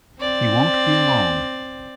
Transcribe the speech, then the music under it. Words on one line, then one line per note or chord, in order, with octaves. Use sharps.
He won’t be alone.
C4 D5